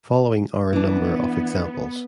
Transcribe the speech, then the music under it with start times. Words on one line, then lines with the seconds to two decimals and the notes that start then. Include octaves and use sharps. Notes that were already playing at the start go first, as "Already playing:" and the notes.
Following are a number of examples.
0.73 E3 B3 D4